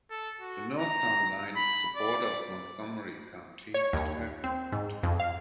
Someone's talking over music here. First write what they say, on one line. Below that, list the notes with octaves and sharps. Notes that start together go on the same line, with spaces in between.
The north town line is the border of Montgomery County and Herkimer County.
A4
F#4
A#5
B5
D5
C#5
D#2
C4
G#2
F2
F5